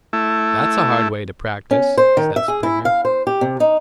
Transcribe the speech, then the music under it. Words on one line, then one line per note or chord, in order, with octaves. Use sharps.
"That's a hard way to practice," said Springer.
A3 E4
C#4
C5
D#3
E5
G#4
E4
F5
C5
G4
C3
D#4